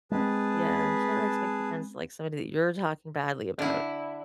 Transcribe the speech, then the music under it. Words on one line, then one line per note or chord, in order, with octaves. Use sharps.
Yeah, you can't really expect your friends to like somebody that you're talking badly about.
G#3 C4 G#4 B4 A5
D3 E4